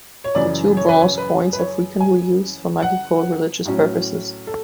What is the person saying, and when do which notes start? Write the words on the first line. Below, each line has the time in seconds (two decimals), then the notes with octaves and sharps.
The two bronze coins are frequently used for magico-religious purposes.
0.24 C#5
0.35 F#2 C#3 E3 D5
0.77 C#5
0.89 B4
1.01 C#5
1.18 B4
1.53 B4
1.59 C#5
2.00 G#5
2.82 F#5
3.66 A2 F#3 C#4
4.47 A4